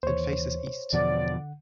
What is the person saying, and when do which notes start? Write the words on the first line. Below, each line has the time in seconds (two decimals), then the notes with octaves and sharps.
It faces east.
0.03 D#2 E3 C5 C#5
0.93 E2 B2 D3 F3 D5 F#5